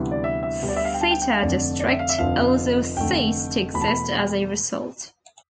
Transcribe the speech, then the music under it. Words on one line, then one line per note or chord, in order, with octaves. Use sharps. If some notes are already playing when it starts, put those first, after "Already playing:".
Seta District also ceased to exist as a result.
Already playing: D2 C3 E3 G3 B3
D5
E5
E5
D2 D3 G3 B3
D5
E5
F5
G5
A5
G5
G5
F5
F1 F2 D3 A3 D5
D5
E5
F5
E5
F1 F2 D3 F3 F5
F1 F2 D3 A3 G5
E2 B2 A3 B5
A5
B5